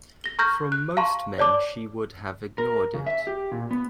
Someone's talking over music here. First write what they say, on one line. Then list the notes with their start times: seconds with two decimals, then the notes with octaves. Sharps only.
From most men she would have ignored it.
0.24 A#6 G7
0.39 A#5 C#6 F6 G6 G#6 A#6
0.72 F#6
0.97 F5 A5 A#5 C6 C#6
1.38 C#5 D5 A5 D6
2.58 A#4
2.94 C#3
3.06 E5
3.27 G4
3.52 A#2
3.71 B3